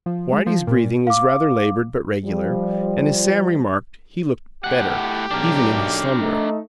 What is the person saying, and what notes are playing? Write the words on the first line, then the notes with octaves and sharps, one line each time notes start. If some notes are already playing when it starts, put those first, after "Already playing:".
Whitey's breathing was rather laboured but regular, and, as Sam remarked, he looked "better", even in his slumber.
F3
G#3
F3
A#2
F5 D6
F3 G3
A2 G4 F#5
B1 D4 A#4
A3 D#4